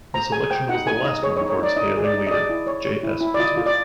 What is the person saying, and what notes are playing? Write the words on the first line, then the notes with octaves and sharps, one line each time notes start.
This election was the last one for its ailing leader, J. S. Woodsworth.
C5 A#5
G#4 G#5
C5 G5
D#4 F#5
D#4 G#5
D#4 D#5
G#4 C#5
C#5
D#4
C#5
D#4 D5
D#4 D#5
G#4
D5
D#4
D#5
G#4 D5
E4
C#5
C#5
E4
E4
D5
F4 D#5
F4
D5